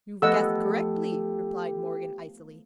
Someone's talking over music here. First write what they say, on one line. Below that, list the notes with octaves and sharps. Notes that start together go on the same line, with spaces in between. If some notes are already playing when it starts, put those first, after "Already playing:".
"You have guessed correctly," replied Morgan, icily.
F3 A3 B3 G4 A4 D#5 F#5 E6